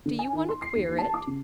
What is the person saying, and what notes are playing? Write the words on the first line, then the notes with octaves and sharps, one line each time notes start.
Do you want to queer it?
D3
G#5
D#3
C6
C7
D#2
A5
D6
C#3